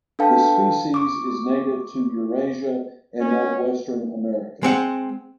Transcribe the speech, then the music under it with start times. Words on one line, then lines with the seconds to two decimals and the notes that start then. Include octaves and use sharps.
The species is native to Eurasia and Northwestern America.
0.19 D4 A4 B4 F5 G5 A5
0.94 C#6 D6
3.21 C#4
4.63 G#3 C4 F#5